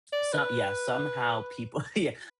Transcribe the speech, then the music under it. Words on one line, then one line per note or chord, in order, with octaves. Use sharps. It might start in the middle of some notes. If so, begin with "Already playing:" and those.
So Yeah, somehow people yeah
D5
B4